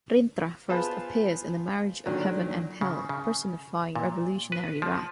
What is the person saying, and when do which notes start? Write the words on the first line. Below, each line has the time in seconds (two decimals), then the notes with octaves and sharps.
Rintrah first appears in "The Marriage of Heaven and Hell", personifying revolutionary wrath.
0.69 B3 F4 G#4 B4 C5 A5
2.06 A#2 D3 D#3 F#3
2.81 C#3
3.09 C#3
3.96 A#2
4.52 B4
4.82 F3